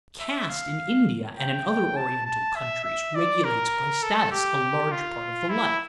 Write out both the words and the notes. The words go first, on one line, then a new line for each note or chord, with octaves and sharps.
Caste in India and in other Oriental countries regulates by status a large part of the life.
E5
F5
G5
G5
A5
A5
E5
E5
D5
A#4
A4
G4
F4
E4